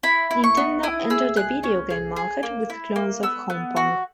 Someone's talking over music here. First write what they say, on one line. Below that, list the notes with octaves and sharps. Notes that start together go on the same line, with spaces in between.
Nintendo entered the video game market with clones of "Home Pong".
E4 B5
E4
C#6
B3
E4 D#6
G#4 E6
G#4 F#6
C#4
G#4
G#4
A#3
E4
A#3
B3 E6
B3
F#4